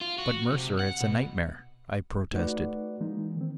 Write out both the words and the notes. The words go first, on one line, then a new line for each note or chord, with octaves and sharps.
"But, Mercer, it's a nightmare!" I protested.
F4
F#4
C3
F#5
B2
A3 D#4 F#4 B4 D5 F#5
E3 G#3 A#3 D#4
D#3 C4